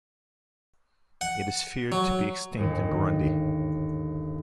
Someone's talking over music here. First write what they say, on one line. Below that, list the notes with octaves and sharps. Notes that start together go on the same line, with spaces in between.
It is feared to be extinct in Burundi.
F#5
F#3
G1 D#2 G#2